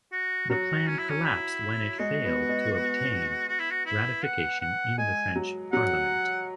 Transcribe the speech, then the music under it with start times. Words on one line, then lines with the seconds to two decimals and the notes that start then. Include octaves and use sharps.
The plan collapsed when it failed to obtain ratification in the French Parliament.
0.12 F#4
0.49 F#3 F#4
0.87 C#4
0.98 E4
1.10 C#4
1.25 E4
1.99 G#3 F#4
2.25 B3
2.49 G#3
2.74 B3
3.48 F#4
3.59 E4
3.71 F#4
3.86 E4
4.23 F#5
4.60 F#5
4.98 G#3 G#5
5.35 F#3
5.72 F#3 F#5